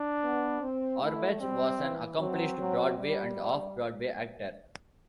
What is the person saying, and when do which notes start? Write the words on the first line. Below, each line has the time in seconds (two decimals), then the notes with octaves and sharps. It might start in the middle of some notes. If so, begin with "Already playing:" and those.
Orbach was an accomplished Broadway and off-Broadway actor.
Already playing: D4
0.23 B3
0.61 C4
1.01 A3 E4
1.40 G3 C4
1.80 E3
2.18 F#3 C4
2.58 F#3
2.97 G3